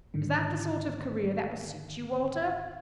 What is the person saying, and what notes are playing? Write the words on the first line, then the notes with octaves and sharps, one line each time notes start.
Is that the sort of career that will suit you, Walter?
G#2 D3 D#3